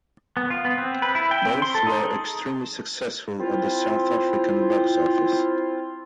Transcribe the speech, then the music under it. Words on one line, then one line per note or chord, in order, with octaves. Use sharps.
Both were extremely successful at the South African box office.
B3
F4
B3
C4
B4
E4
G5
C4
C6
A4
D#4
G#4
C4 E4 F4